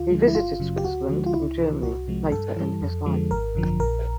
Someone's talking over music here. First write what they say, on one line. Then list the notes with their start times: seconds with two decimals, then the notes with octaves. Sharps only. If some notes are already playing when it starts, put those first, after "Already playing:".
He visited Switzerland and Germany later in his life.
Already playing: D2 F4
0.10 D3 F3 G#3
0.27 E4
0.35 G1 F4
0.60 F#2 C#3 F#3
0.77 G4
0.84 D2 F#4
1.09 D3 F3 G#3
1.26 F4
1.34 C#2 E4
1.58 C3 E3
1.83 C2 F#4
2.08 C3 F3 G#3
2.32 G2 A4
2.56 E3 G3
2.81 F2
3.06 D3 F3 G#3
3.31 G#1 A#4
3.55 F#2 D3 F3
3.80 A#1 A#4